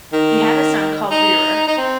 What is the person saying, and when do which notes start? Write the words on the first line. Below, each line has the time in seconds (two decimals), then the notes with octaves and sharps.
He had a son called Rerir.
0.13 D#3
1.11 D#4
1.67 D#4
1.77 C4